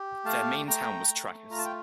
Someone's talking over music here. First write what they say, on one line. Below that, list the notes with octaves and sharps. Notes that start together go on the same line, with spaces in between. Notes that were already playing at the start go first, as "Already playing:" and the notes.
Their main town was Trachis.
Already playing: G4
A3 F5 A5
A3 G5 A#5
A3
F4 A#5
A5
G5